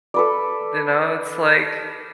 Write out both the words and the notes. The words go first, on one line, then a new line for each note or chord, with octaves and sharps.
you know, it's, like,
A4 B4 D5